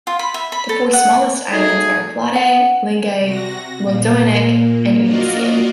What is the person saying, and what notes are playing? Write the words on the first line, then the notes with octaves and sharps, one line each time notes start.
The four smallest islands are Flodday, Lingay, Muldoanich and Uineasan.
F4
B5
E5
B5
A4
F#5
F#3 A3 D#4 G#4
F#5
C3 F#4 A#6
A#2 A#3
A#3 F4 F#4 A#4 D5 D#5